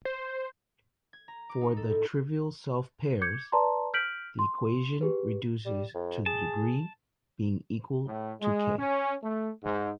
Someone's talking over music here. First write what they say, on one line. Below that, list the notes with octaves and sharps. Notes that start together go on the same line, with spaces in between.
For the trivial self-pairs, the equation reduces to the degree being equal to "k".
C5
G#6
A#5
D6
D#4
A4
A2
D6 G6 G#6 C#7
B4 D5 A5 A#5 C6
F6 G6 B6 D7 F#7
C6
G4 G#4 B4
G3
F2
G#4 A5
A2
G#3
C#4
A3
G#2